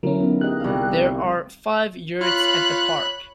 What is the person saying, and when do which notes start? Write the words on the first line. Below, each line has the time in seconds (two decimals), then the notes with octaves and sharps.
There are five yurts at the park.
0.03 D3 F#3 C#4 E4 A#4
0.20 B3 D#4
0.41 G4 G#4 D#5 F#6
0.60 C2 C4 F5
2.21 F4 C#5 B5 F#6